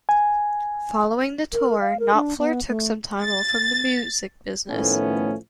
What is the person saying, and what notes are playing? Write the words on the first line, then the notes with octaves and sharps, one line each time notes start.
Following the tour, Knopfler took some time off from the music business.
G#5
A#4
F5
A#4
D4
B3
A3
A6
A2 D#3 F3 A3 B3 C#4